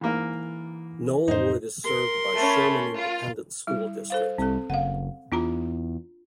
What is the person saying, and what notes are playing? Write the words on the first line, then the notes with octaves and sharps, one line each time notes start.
Knollwood is served by Sherman Independent School District.
G#2 E3 A#3 A#4
F2 A2 D#4 C5
A#4 C6
A3 C#4 B5
F4
G3 E4
A4 C5 F5
C2 C4 A4
F#1 F5 F#5
E2 D4 F4 A#5